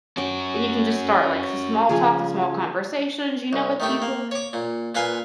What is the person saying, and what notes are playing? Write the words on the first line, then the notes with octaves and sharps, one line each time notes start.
and you can just start like some small talk, small conversations, you know, with people
C#4 F#4 G5 D6
C#3 F3 G#4
C2
D#3 A3 G4
A#3
C#5 D6
A#2
A#2 B4 F5 G#5 C6